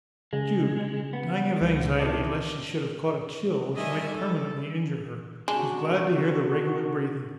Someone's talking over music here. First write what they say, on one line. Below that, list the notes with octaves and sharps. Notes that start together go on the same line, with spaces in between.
Jude, dying of anxiety lest she should have caught a chill which might permanently injure her, was glad to hear the regular breathing.
C#3 G#3
B3
C#2
D#3 E3 D4
D#3 G3 D#5 E5 G#5
A4
C3 G#3 D4 F#4